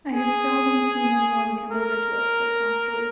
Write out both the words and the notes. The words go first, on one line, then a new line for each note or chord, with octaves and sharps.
I have seldom seen anyone come over to us so promptly.
G#4
A#4